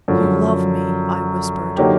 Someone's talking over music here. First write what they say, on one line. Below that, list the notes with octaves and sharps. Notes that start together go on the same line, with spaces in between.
"You love me!" I whispered.
F#2 D3 F3
D3 F#3 A#3 D#4 G4